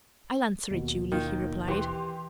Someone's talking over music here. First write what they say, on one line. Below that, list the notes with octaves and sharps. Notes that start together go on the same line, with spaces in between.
"I'll answer it, Julie," he replied.
D#2 B2
D#3 A#3 F4
E3 G4 C6